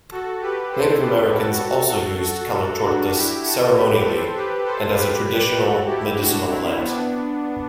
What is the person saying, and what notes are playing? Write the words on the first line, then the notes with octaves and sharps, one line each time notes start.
Native Americans also used "Calochortus" ceremonially and as a traditional medicinal plant.
F#4 A4
G4 B4
A4 C5
G4 B4
F#4 A4
D4 F#4
E4 G4
F#4 A4
G4 B4
A4 C5
G4 B4
A4 C5
G4 B4
G4 B4
F#4 A4
E4 G4
D4 F#4
C4 E4
B3 D4